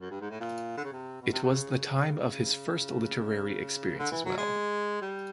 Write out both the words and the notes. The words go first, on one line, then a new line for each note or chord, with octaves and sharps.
It was the time of his first literary experience as well.
F#2
G2
G#2
A2
A#2
D3
C#3
C3
B2
C3
C#3
C#3
D3
E3
F#3
G#3
G3